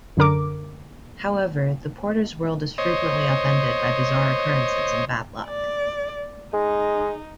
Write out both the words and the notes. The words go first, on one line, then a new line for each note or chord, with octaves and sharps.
However, the Porters' world is frequently upended by bizarre occurrences and bad luck.
F#2 D3 A#4 D6
C5 C#5 D#5
D5
G#3 D#4